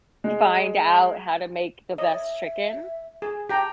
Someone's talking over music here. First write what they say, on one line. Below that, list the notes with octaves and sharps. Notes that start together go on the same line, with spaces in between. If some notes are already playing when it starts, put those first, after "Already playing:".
find out how to make the best chicken,
G#3
C#5 D#5
E5
G#4
G4 G5 A5 A#5